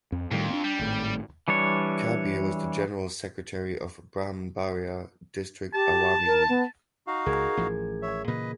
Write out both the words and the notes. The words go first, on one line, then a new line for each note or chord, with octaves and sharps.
Kabir was the general secretary of Brahmanbaria District Awami League.
F2
F2 A2 D#3 G3
B3 D4
G3
G#1 A2
E3 G3 D4 C#5
G4 A5
A#4
B3
D#4 F#4 F5
C#2 G#4 A#4 G#6
A1 A2 F3
C#5 E5
A#2 C#3 E3 B4 D#5